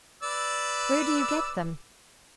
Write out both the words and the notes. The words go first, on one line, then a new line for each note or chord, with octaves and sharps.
"Where do you get them?"
B4 D5 E6